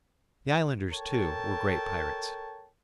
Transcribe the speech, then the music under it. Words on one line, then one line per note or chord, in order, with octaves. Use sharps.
The islanders, too, were great pirates.
A4 A#4 C#5 G5 A5